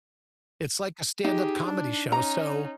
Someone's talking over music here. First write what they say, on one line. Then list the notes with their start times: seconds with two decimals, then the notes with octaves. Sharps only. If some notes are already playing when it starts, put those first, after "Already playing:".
It's like a stand-up comedy show, so,
1.24 D#4 G4 G#4
1.65 D4
2.12 C#4 D#4 A#5